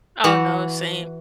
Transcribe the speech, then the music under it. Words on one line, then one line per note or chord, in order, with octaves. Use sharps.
Oh, no. Same.
E3 F#4 F#5